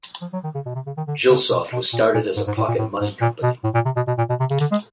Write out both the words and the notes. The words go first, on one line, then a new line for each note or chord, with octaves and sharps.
Gilsoft was started as a pocket money company.
F3
F#3
D#3
C#3
B2
C3
C#3
D#3
D3
C#3
B2
B2
A#2
A#2
G#2
G#2
A2
A#2
A2
G#2
A#2
B2
A2
A#2
C3
B2
B2
A#2
B2
C3
C#3
D3
G#3